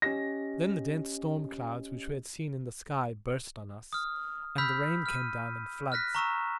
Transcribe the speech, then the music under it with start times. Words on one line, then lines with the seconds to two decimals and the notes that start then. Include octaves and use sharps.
Then the dense storm clouds which we had seen in the sky burst on us, and the rain came down in floods.
0.02 C#4 G4 D#5 A#6
3.93 D#6 F6
4.58 B5 E6 F6 G6 B6
5.06 F6 D#7
5.92 F6 F#6 A#6 B6
6.15 A#5 C#6 E6 E7